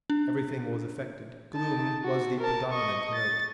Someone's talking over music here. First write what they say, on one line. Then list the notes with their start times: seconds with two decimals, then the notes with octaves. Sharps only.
Everything was affected; gloom was the predominant note.
0.10 D4
1.55 D#4 A5
2.04 F#4
2.41 A#4 A5
2.72 D#5 C#6
3.15 A6